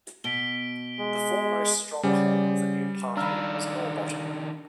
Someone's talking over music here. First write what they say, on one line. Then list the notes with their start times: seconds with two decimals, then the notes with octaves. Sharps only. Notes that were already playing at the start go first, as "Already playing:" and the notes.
The foremost stronghold of the new party was Norrbotten.
0.24 B2 B6 D7 G7
0.99 G#3
2.03 C#3 G3 C#4 G#4 C5 D5 F#5
3.17 D#3 D4 F5 A#5 B5 E6 F6